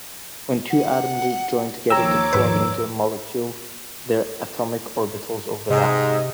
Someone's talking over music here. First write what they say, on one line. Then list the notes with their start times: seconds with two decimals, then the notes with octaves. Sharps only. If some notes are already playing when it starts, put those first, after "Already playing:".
When two atoms join together to form into a molecule, their atomic orbitals overlap.
0.70 F#5
1.90 D#2 F3 C#5 G5 A#5 D6 E6
2.33 G#2 B4
5.70 G#2 C3 D#5